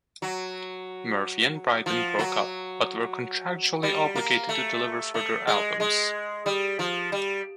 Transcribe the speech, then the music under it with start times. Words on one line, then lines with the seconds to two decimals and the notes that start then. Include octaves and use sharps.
Murphy and Brydon broke up but were contractually obligated to deliver further albums.
0.22 F#3
1.86 F3
2.19 F#3
3.83 G3
4.15 A#3
4.49 A3
5.14 A3
5.47 G#3
5.80 G#3
6.46 G3
6.79 F3
7.12 G3